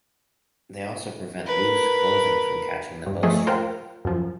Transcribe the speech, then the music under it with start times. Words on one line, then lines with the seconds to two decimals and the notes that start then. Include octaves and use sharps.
They also prevent loose clothing from catching the bow string.
1.45 A#4 B4
3.06 G2
3.23 F3 A3 A#3 G#4 C#5 D#5
3.47 F4 A#4 C5 F#5 G5
4.05 F#2 F3